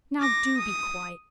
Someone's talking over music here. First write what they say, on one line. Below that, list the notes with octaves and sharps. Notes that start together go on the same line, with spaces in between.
'Now do be quiet.
D6 A#6
D#6